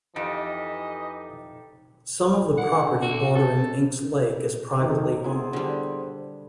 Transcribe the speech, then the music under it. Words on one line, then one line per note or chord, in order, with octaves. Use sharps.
Some of the property bordering Inks Lake is privately owned.
F2 E3 D#4 G4 A4 D#5
D3 F#5
F#4
A4
F2 C3 D#3 A3
B3 E4 G#4 C5
D3 G3